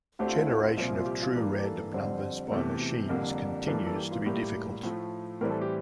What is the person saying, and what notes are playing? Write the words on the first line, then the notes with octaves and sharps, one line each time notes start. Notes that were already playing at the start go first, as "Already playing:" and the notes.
Generation of true random numbers by machines continues to be difficult.
D2 D3 A3 C4 G4
F4
E4
F4
C2 A#2 F3 C4
F4
G4
F4
G2 E3 A#3 G4
G4
A4
F2 D3 G3 C4
E2 C3 E3 A3 A4
G4
F2 D3 G3 A#3 A#4
G2 E3 A#3 A4
A4
G4
F4
A2 G3 A#3 G4
A2 F3 A3
A2 E3 G3 C4 A#4
A4
G4